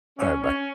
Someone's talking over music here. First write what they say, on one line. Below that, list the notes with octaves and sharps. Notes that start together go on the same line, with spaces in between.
Alright, bye.
C#4
C#4